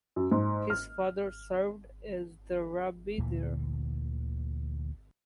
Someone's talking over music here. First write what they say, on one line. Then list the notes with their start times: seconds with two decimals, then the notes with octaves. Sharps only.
His father served as the rabbi there.
0.16 F#2
0.32 G#2
0.70 F6
3.18 D2 A#2 D3 E3